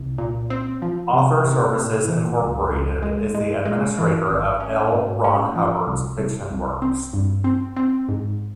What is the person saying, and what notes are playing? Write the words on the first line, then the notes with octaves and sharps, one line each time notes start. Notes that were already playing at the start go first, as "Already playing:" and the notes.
Author Services Incorporated is the administrator of L. Ron Hubbard's fiction works.
Already playing: C2
A#2
C4
F3
C3
C3
C3
E3
C#2
C#2
G#3
G#3
G#3
E3
G#1
C#4
G#2
C#4
F3
C2
C2
C2
C4
G2
C4
C4
G#2